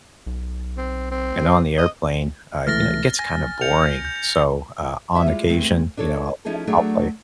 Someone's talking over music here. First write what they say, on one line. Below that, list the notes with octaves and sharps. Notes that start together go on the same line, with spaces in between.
and on the airplane, uh, you know, it gets kinda boring, so, uh, on occasion, you know, I'll I'll play
B1
C4
C4
D#5
C#2 E3 A3 F6 A6 A#6
G#5 A#6
G6 C#7 F7
G6
E2 E4 F#4 E5
G3 G#3 F4
D2 G2 G#3 A3 C4
D4 A4 C#5
F3 C#4 D#4 E4 G#4 A4
F#3 A3 D4 G#4